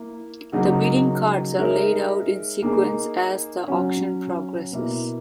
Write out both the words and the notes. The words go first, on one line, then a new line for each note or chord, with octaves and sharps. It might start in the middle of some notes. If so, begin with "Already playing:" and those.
The bidding cards are laid out in sequence as the auction progresses.
Already playing: A#3 E4
C#3 F#3 A#3 D#4 F#4
G#3 D#4 A#4 C#5 E5
A#3 D#4 G#4
F#3 C#4 F#4
B2 A#3 E4